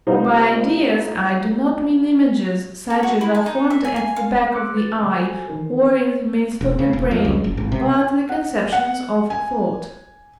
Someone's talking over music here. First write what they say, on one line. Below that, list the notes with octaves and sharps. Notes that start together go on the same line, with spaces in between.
For by ideas I do not mean images such as are formed at the back of the eye, or in the midst of the brain, but the conceptions of thought.
C3 G3 D#4 F4 C5
A4
F#4
E4
A5
D#4
E5
G#5
G#5
F5
C6 D6 E6 F#6 C#7
B4 A6
D3 B3
F#4 A4 C5 G#5
D#3 E3 D#4 A#4
E1
C#3
E1
F2
C#2
F#1
G#1
C3
F#5
F#5
G#5